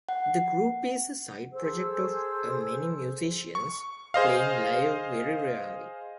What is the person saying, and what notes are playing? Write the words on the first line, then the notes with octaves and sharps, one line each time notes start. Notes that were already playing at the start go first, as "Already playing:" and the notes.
The group is a side project of many musicians, playing live very rarely.
F#5
G#4 A4 C5 E6
C#6
G#4 C5 D#5 F5